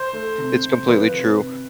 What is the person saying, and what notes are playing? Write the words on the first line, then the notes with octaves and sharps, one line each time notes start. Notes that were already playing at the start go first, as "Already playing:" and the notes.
It's completely true,
Already playing: C5
A3
C3
C3
F3 B4
C3
C3